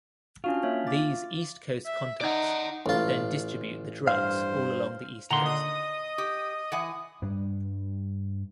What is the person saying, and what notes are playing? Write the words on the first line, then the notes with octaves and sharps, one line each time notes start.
These East Coast contacts would then distribute the drugs all along the East Coast.
C#4 D4 F4 F#4
A#3 C#5 E5
D6 A6
E5
D#4 D5 F#5
A1 F4
G2 C5 F5
A#2 D3 D#3 F#5 A#5 C6
D#5 D#6
G4
E3 F#5 G#5
G2 G3 D4